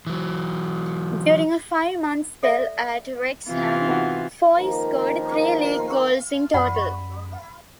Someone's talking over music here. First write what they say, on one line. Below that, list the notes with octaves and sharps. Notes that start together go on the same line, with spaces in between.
During a five-month spell at Wrexham, Foy scored three league goals in total.
E3 F#3
A4 D5 E5
C3 E3 F4
B3 D#4 F#4
C#2 D#3 F3 A#3 A#4
F#2 D5 F#5 B5